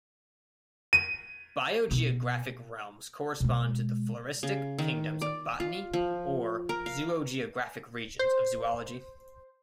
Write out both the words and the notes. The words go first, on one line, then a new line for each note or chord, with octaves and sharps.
Biogeographic realms correspond to the floristic kingdoms of botany or zoogeographic regions of zoology.
D#7
B2
B2 G#3
C#3
D#3
D5
F4
F3
A#4
F5
C5